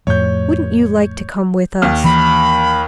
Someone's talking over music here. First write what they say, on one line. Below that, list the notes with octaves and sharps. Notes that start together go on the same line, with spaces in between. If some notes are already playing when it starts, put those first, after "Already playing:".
Wouldn't you like to come with us?'
F2 A2 C#5 G6
D#2 F6
E3 A#3 B5